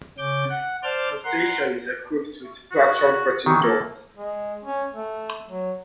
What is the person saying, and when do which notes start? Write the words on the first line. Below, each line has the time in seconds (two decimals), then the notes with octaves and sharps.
The station is equipped with platform curtain door.
0.18 C#3 C#4 D6 G6
0.49 F#5
0.83 C5 D5 A5 D6 F6 G6
1.24 A#4 F#5 C6
2.72 F#4
3.46 D#3 E3 C#6
3.63 A#3 A4
4.17 G#3
4.65 C#4
4.93 A3
5.49 F#3